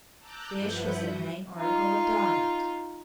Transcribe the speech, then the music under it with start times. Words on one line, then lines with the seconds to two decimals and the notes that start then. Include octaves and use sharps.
Fish was their main article of diet.
0.19 A5 A#5 D6 E6 F#6 G6
0.54 G2 F3 E4 B4 F#5 G6
0.99 F#4
1.57 D#4 F4